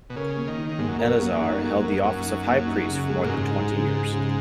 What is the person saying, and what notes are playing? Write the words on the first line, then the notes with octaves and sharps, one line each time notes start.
Eleazar held the office of high priest for more than twenty years.
B2
C#3 A#4
A#3
D#3
D#4
G#2 A#3
F#2
A#4
F#2
A#3
D#4
A#3
A#4
F#2 A#3
D#4
A#3
D#4
C#3
G#3
A#2
G#2 C#3
D#4
C#3
G#3
C#3